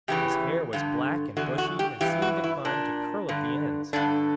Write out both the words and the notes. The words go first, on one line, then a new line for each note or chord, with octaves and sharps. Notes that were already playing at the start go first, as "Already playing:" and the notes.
His hair was black and bushy and seemed inclined to curl at the ends.
E2 C#3 E3 G4
G2 D3
E2 D3 F#4
F#4
G4
G2 E3 G4
F#4
E4
A#2 D4
G2 D3
G2 D3 D4